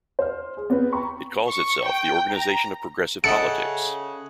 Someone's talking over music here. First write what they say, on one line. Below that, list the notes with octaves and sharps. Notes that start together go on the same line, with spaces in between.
It calls itself the organization of progressive politics.
C5 F6
G#4
B3 C4 B4
G5 A#5 B5 C#6
C#6
G5
A#5
C#3 A4 D#5 E5 F#5 C#7